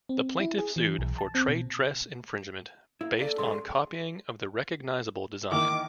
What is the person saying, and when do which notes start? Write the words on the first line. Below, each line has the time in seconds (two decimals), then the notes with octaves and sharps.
The plaintiff sued for trade dress infringement based on copying of the recognizable design.
0.09 C4
0.40 E4
0.58 G#4
0.76 E3
0.99 B1
1.18 A5
1.35 C4
1.48 B2
3.01 A#3 E4
3.19 A4 D5 F5
3.38 C#3 G#3 C6
5.52 D#3 E3 A#3 D6